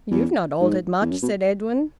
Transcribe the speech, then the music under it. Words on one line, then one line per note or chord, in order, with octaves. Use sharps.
"You've not altered much," said Edwin.
E2
G#2
E2
F#2
B2